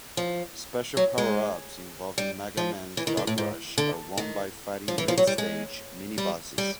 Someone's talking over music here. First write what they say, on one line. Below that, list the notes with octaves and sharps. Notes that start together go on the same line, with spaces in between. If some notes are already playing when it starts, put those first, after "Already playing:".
Special power-ups involving Mega Man's dog Rush are won by fighting mid-stage minibosses.
F3
F#3
G#3
G3
F3
E3
D#3
D3
A2
G#2
D3
D#3
F3
E3
F3
F#3
G3
G#3
G3
G3